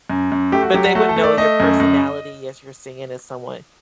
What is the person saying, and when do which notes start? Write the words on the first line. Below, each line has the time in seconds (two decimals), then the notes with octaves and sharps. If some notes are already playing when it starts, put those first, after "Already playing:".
But they would know your personality as you're saying, as someone
0.10 F#2
0.32 F#2
0.52 A3 G4
0.63 F#4
0.74 F#3 G4
0.84 F#4
0.95 A3 F#4
1.09 A4
1.16 A3
1.24 D5
1.37 A3 D#5
1.60 F#2
1.80 F#2